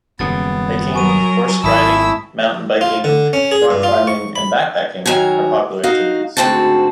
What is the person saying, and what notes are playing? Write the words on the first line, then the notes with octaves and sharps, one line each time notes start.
Hiking, horse-riding, mountain biking, rock climbing, and backpacking are popular activities.
D#1 F#2 C#3 B3 A6
F#3 A#4 G#5 C#6 D#7
G#1 E4 A5 D#6 E6 B6
F4
D3
C#4
G#4
G2
F4
C#6
B5
D#3 F#3 A#4 G#5
D#4 F#4 F5
D2 G#2 C4 F#4 A5